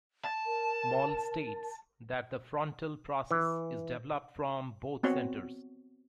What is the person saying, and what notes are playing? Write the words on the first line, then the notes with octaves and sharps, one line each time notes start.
Mall states that the frontal process is developed from both centers.
A5
A#4
E3
B3 C4 F#4 C#5